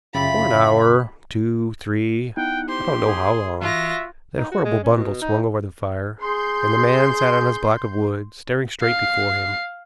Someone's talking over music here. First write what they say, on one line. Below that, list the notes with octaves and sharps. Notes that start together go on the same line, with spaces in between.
For an hour--two, three, I don't know how long--that horrible bundle swung over the fire, and the man sat on his block of wood, staring straight before him.
F#2 C#3 A3 E4 F4 G4 B5 A6
B3 D#4 E4 F#5 G5
G4 C5 C6
G#4
E3 F4 F#4 E5 A#6
D#4
F#4
G#3
C#4
B2
D#4
G#4 C6 G6
F5 C7